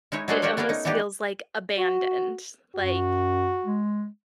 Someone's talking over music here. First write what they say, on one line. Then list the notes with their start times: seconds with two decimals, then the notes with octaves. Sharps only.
It almost feels, like, abandoned, like
0.12 G#3 D#4 E4 C#5
0.28 F#3 G#3 D4 F#4 G#4 C5
0.42 F#4 G4 A#4 C#5 D5
0.57 A3 B3 G#4 A#4 D5
0.69 C#4 D#4
0.85 E3 G3 B3 D#4 G4
1.78 F#4
2.76 F#2 F#4
3.65 G#3